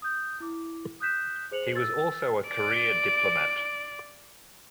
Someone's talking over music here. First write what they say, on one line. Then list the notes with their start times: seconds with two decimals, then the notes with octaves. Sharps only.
He was also a career diplomat.
0.02 D#6 G6
0.40 E4 D6
1.00 D#6 F#6 G6 B6 E7
1.51 G#4 C5 C#7 F7 F#7
1.75 E6 G#6 A6
2.49 D5 D7